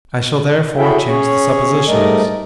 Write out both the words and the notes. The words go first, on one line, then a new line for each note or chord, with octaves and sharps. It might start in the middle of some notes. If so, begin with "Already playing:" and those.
I shall therefore change the suppositions.
E4 F#4 G#4 A4 E5 G5
C#4 G#4 C#5
G#2 G3 A3 A#4 D5 D#5